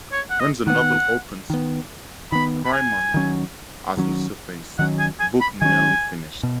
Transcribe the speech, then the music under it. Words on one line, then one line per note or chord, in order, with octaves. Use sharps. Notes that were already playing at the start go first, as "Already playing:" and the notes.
When the novel opens, Crimond has resurfaced, book nearly finished.
C#5
F#5
D#5
D#3 B3 F#5
D#3 B3
D#3 B3 B5
B5
G#5
D#3 F#3 C#4
D#3 F#3 C#4
D#3 F#3 C#4 F#5
G#5
G#5
B5
D#3 F#3 C#4 G#5
B2